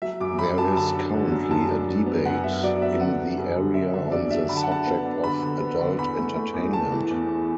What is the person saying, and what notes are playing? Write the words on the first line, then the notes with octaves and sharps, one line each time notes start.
There is currently a debate in the area on the subject of "adult entertainment".
F#3 E5
F#2 D6
F#3 B5
F#2 A5
D3 A5
D4
D3
F#2
F#2 A5
D4
F#3
B3
F#2 F#5
F#2 E5
F#3 D5
B3 E5
D3 F#5
D4
F#2
D3
D3 E5
D3 E5
F#3 D5
D4 E5
D3 B5
A5
F#5
D3 A5
B3
D4
D3 B5
D3
B3
D3
E2 B5
A3
A3
E2
E2 A5
E3
E2
E2